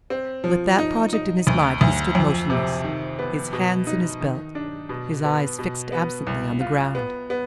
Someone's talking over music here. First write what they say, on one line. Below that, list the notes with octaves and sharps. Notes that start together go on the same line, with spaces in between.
With that project in his mind he stood motionless--his hands in his belt, his eyes fixed absently on the ground.
C4
F3
D#4
D#4
D2
D2
F2
C3
D#3
B3
B2
D#4
D#3
D4
B2
B3
B2
B3
C2
F4
B3
B3